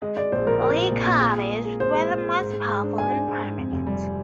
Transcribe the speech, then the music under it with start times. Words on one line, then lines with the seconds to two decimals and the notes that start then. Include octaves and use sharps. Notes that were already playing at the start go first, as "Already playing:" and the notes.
Lichohavis were the most powerful and prominent.
0.02 G#3 D#5
0.17 G#3 D5
0.32 A#1 C5
0.47 A#1 A#4
0.61 C4 A#4
0.76 A#2
0.91 A#1
1.06 A#2
1.20 G#4
1.36 G#4
1.50 G#3
1.65 G#4
1.80 G#4 C5
1.94 G#3
2.09 A#2
2.23 G#3
2.39 G#2
2.53 G#2
2.69 G#2
2.83 D4
2.98 D4 G#5
3.12 D4
3.27 G#2
3.43 G#2
3.57 F2
3.72 F1
3.87 G3